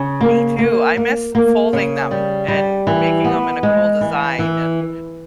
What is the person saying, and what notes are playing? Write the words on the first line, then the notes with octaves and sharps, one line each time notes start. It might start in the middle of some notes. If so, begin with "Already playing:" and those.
me too. I miss folding them and making 'em in a cool design and
Already playing: C#3
A#3
A#3
A#3
A#3
C#3
G3
G3
E3
B3
G#3
E3
E3